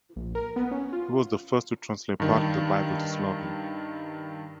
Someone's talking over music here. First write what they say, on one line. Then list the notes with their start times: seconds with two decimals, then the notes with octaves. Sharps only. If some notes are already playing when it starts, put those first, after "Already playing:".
He was the first to translate parts of the Bible to Slovene.
0.16 A#1
0.35 A#4
0.56 B3
0.71 C#4
0.93 F4
2.20 G2 D#3